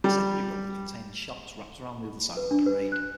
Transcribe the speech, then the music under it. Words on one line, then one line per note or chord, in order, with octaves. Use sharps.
A secondary building containing shops wraps around the other side of the parade.
G3
B4
D4
B4
F#6